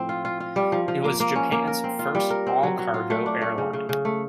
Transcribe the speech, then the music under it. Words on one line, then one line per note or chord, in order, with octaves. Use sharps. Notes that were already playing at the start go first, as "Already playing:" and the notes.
It was Japan's first all-cargo airline.
Already playing: A2 F3 C4
F4
F4
F4
G3
F3
F3
A#3
A#3
C#4
A#3
A#4
C4
F4
G3
A#4
C4
F#3
F#3
F4
A3
D4
A3
C#3
C#3
C#3
A3